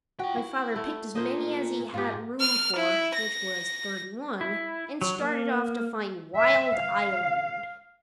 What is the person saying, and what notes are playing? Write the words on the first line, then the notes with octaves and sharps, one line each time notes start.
My father picked as many as he had room for, which was thirty-one, and started off to find Wild Island.
F4 F#4 G5
E4
A3
A#3 F4 C5 D#5
G#2 F4 G4
F6
E4
A#6
E4
F#3
A#3
E5
F5